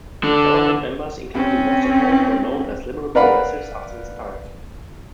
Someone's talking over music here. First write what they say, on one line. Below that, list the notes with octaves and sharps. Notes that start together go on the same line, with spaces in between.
Government members, including Wolstenholme, were known as "Liberal-Progressives" after this time.
D3 D4
C4 C#4
A#4 B4 D5 F5 F#5 B5